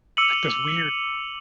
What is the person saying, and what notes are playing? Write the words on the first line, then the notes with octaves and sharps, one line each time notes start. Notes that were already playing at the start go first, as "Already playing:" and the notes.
like this weird
D6 E6 C#7 D#7 F#7